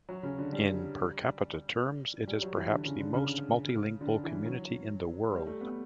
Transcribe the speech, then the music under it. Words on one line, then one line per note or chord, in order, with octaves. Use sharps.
In per capita terms, it is perhaps the most multilingual community in the world.
F#3
C#3
D3
G3
G3
F#3
E3
D3
C#3
D3
C#3
D3
E3
F#3
G3
A3
B3